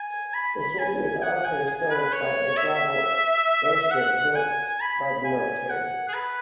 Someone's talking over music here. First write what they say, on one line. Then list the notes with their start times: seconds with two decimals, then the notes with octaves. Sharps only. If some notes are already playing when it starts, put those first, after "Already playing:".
The city is also served by a gravel airstrip built by the military.
Already playing: G#5
0.34 B5
0.79 G#5
1.23 F#5
1.45 G#5
1.67 G#5
1.90 B4
2.12 C#5
2.57 E5
3.91 F#5
4.36 G#5
4.80 B5
5.24 G#5
5.70 F#5
6.08 G#4
6.14 B4